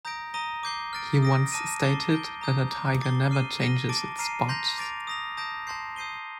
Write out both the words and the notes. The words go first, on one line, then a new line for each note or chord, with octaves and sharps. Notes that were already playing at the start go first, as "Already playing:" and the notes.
He once stated that a tiger never changes its spots.
A#5 D#6 G6 A#6 D7
A#5 D#6 A#6 D#7 G7
D6 G6 C7 G7
F6 A6 D7
D#6 A#6 D7
A5 D6 F6 A#6 D#7
A5 D6 A6 C7 G7
G6 D7 G7
A#5 D#6 G6
A#5 D6 G6
D6 A6 C7 G7
D6 F6 C7 D#7 G7
F6 A#6 D#7 G7
A5 D6 A6 D7
A#5 F6 C7 D#7
C6 G6 A#6 F7
D6 A6 D7 F7
D#6 A#6 F7
A5 D#6 G6 A#6 D7
A5 C6 G6 C7
D#6 G6 C7 D#7 G7